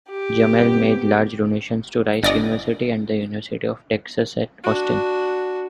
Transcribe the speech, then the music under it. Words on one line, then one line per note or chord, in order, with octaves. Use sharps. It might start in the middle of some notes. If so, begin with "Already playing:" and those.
Jamail made large donations to Rice University and The University of Texas at Austin.
G4
G2 B3 C4
G1 D5 D#5
D4 F#4